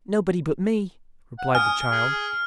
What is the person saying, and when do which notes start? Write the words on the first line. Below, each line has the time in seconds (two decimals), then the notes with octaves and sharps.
'Nobody but me,' replied the child.
1.38 F#5
1.55 G#5 D#6 F6
1.91 G#4